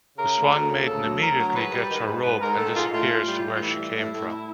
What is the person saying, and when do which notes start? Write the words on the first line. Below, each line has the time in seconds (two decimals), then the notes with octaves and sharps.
The swan maiden immediately gets her robe and disappears to where she came from.
0.18 C#3 A#4
0.35 D2
0.53 D2
0.70 C#3
0.86 D2 A4
1.04 F#3
1.21 D2 A#4
1.38 F#3
1.49 A#4
1.56 G#2 B4
1.72 G3
1.90 D#3
2.07 G#2
2.24 G#2 B4
2.41 G#2 A#4
2.58 D#3 A4
2.75 G#2 F4
2.92 A2 F4
3.09 A2
3.27 G3
3.45 A2
3.54 F4
3.62 E3 E4
3.78 G3
3.95 A2
4.13 A2